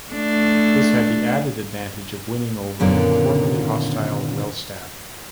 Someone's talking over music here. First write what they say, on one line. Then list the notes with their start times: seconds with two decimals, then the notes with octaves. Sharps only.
This had the added advantage of winning over the formerly hostile Rellstab.
0.13 A3 D4
2.80 F#2 A#2 D3 D#3 A#3 B3